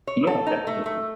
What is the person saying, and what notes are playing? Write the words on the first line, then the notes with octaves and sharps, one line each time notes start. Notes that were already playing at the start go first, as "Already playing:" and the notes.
Yeah, definitely.
C#5
A4
D#4
A3
A3